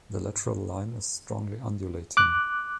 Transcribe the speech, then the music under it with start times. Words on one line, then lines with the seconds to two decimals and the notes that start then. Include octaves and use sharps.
The lateral line is strongly undulating.
2.17 D6 F#6